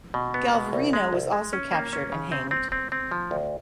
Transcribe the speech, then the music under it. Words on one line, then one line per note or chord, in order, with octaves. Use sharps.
Galvarino was also captured and hanged.
B2
B3
B2
C2
G#3
C2
G#3
C#4
A#3
C#4
C#3
C4
C4
C4
C4
F3
D2